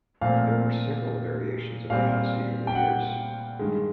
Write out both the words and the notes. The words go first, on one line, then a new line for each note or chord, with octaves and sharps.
There were several variations of the Odyssey over the years.
A#2 F3 A3 C4 F5
A#2 G3 C4 F5
G5
F#5
G2 D#3 G#3